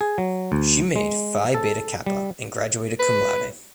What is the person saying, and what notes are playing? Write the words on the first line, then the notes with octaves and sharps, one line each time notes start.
She made Phi Beta Kappa and graduated cum laude.
G#4
F#3
D2
G#3
A4
G3
B4